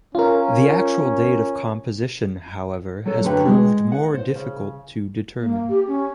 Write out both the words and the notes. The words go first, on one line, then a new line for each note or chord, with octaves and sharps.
The actual date of composition, however, has proved more difficult to determine.
C#4 F4 A#4
F#3 A4
F#2 D3 F#3 D4 B4 G5
G#3
F#5
C5
C#3
A#3
G4
C#4